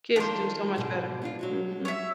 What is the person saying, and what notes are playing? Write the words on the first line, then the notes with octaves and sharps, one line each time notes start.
Kids do so much better. Mhm.
D#3 F3 G#3 D4 C5
G#2 B2 D3
B3 D4 F4
F#3 G#3 F#4
C#5 E5